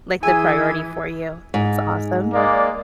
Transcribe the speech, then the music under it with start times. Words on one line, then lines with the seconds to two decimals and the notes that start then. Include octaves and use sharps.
Like the priority for you. That's awesome.
0.23 E3 G#4 G#5 E6 G#6
1.54 G#2
2.34 G#3 A#3 D5